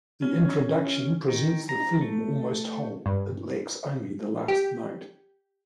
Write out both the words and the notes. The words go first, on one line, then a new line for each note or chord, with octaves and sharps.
The introduction presents the theme almost whole: it lacks only the last note.
C#4
D#3
A#5
A3
G2
G4